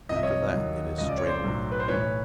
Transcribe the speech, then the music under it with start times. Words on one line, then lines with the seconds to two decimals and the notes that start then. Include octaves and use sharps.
"After that it is straight away."
0.09 C2 C3 F3 D#5
0.16 E5
0.23 C#5 D#5
0.53 D#2 D#3 F#3
0.98 C#2 C#3 F3 D#5
1.09 D5
1.18 C#5
1.26 C5 D5
1.43 B1 A2 F#3
1.72 B4
1.80 C5
1.88 B1 A2 E3 B4 C#5